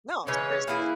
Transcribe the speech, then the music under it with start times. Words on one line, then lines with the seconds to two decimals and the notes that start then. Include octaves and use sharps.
No, seriously,
0.27 C#3 E3 G#3 C#4 C#5
0.67 E3 A#3 E4 G#4